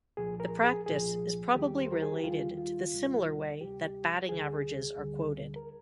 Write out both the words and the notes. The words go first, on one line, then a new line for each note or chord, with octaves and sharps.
The practice is probably related to the similar way that batting averages are quoted.
C2 A#2 F3 G#4
A#4
G#4
C2 A#2 F3 G#4
D#2 D#3 G3 G4
C5
A#4
G#4
G4
D#2 D#3 G3 F4
F4
D2 C3 G3
D2 C3 G3 G4
D2 D3 G3 G#4
D2 D3 G3
A#4